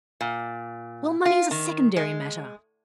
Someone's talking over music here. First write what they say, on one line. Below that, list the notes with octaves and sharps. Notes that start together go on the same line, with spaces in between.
Well, money is a secondary matter.
A#2
F4
D#3
G#3